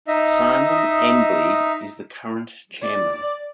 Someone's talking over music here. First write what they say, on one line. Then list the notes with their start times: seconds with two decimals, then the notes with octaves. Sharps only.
Simon Embley is the current Chairman.
0.08 D#4 D#5 E5
2.82 D5